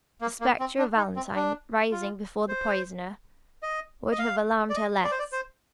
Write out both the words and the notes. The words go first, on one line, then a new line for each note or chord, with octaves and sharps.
The spectre of Valentine rising before the poisoner would have alarmed her less.
A#3
A#3
C4
D4
D#4
C4
D4
F4
C5
D#5
D#5
F5
D5
D#5
D5
C5
D5
C5